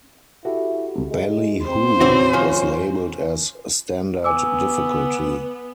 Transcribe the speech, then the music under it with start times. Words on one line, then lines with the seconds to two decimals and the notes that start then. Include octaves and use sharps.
"Ballyhoo" was labeled as "Standard" difficulty.
0.45 E4 F#4 G4 A4
1.09 G#3
1.67 C4 C5
2.01 D#2 A2 E3 C4 C#4 F#4
2.33 D#3 F3 G#5 C#6
4.24 B3 G#5 D6 E6